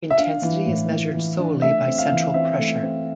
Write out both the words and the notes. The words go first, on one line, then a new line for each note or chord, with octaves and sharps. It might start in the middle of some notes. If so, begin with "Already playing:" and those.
Intensity is measured solely by central pressure.
E5
D4 F5
E3
A2
E3
E3
D4
A3 E5
C4
F5
E3
C4 E5
A3
C4